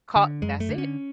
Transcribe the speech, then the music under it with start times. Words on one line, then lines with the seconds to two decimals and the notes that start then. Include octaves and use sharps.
Call That's it.
0.16 D3
0.42 F#2 G#3
0.60 A3
0.69 D3
0.78 C#4